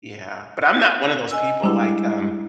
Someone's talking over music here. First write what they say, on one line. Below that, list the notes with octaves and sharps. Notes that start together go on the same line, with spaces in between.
Yeah, but I'm not one of those people like, um,
D#5 G#5 E6
G3 G#3 D4 E4